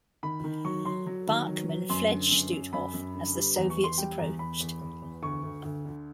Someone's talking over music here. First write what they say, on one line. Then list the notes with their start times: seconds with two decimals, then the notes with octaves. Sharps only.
Barkmann fled Stutthof as the Soviets approached.
0.23 D#3 B5
0.44 D#3
0.65 F#3 C#6
0.85 F#3 C6
1.06 F#3
1.27 D#3
1.48 F#3
1.69 F#3
1.89 F#2 C6
2.10 D3
2.31 F#2
2.52 F#2
2.73 F#2 B5
2.94 F#2
3.14 D3
3.35 G3
3.56 E2 A#5
3.70 C#6
3.77 E2
3.84 C6
3.98 G3 G5
4.19 E2 A#5
4.39 E2 B5
4.60 E2
4.81 E2
5.02 E2
5.23 D2 C#6
5.43 D2
5.65 D2
5.85 D3